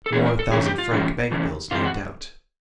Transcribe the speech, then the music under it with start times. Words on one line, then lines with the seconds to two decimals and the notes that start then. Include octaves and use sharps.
More thousand-franc bank-bills, no doubt!
0.06 A4
0.12 C3 E3 A3 C#4 G#4
0.26 A#4
0.39 A4
0.52 C3 E3 A3 C#4 G#4
0.66 G4
0.78 F4
0.91 C3 E3 A3 C#4
1.31 C3 E3 A3 C#4
1.71 C3 E3 G#3 C4 F4
1.85 F#4